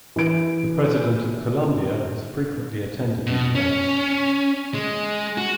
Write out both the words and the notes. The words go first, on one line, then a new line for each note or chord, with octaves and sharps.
The President of Colombia has frequently attended these events.
E3 D7
B2
C#4
G#3
F#4